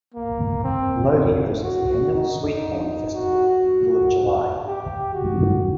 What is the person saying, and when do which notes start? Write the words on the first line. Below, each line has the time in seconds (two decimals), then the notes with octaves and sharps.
Lodi hosts the annual Sweet Corn Festival in the middle of July.
0.14 A#3
0.63 C4
1.64 F#4
2.14 D#4
3.15 F#4
4.66 G4
5.15 F#4